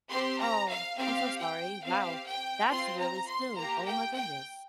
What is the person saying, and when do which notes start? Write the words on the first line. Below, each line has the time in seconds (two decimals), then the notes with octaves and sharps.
Oh, I'm so sorry. Wow, that's really soon, oh my goodness.
0.11 C4 G4 C6
0.40 A#5
0.70 F5
0.98 C4 G4 F5
1.41 G5
1.84 C4 G4 F5
2.27 G5
2.70 C4 F4 C6
2.99 A#5
3.28 C6
3.57 A#3 G4 A#5
3.86 G5
4.15 G5